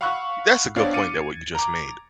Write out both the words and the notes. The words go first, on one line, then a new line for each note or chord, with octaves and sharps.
That's a good point that what you just made,
F5 F#5 B5 C#6 E6 F#6
B3 C4 D4 C#5 D5 F5
F5 D6 A6 C#7 D#7
G#6
A#5 D6